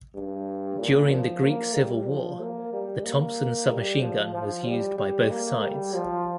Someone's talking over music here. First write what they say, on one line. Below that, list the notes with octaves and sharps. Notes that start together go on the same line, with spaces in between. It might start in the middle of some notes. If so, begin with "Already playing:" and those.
During the Greek Civil War, the Thompson submachine gun was used by both sides.
G2
A#2
F3
A#3
G3
F3
A#3
G3
A#3
G3
F3
F3
G3
G3
A#3
G3
F3